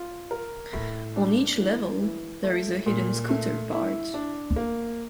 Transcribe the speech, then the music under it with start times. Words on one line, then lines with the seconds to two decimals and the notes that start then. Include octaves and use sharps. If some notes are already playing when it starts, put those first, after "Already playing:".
On each level there is a hidden "scooter" part.
Already playing: F4
0.31 A#4
0.73 A2
1.16 D4
1.58 E3
2.01 E3
2.44 A3
2.86 A#2
3.29 A3
3.71 E4
4.14 D4
4.56 A#3